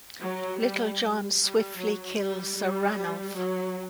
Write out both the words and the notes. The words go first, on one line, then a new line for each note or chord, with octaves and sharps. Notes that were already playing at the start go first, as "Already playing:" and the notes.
Little John swiftly kills Sir Ranulf.
F#3
G3
G3
F#3
G3
G3
F#3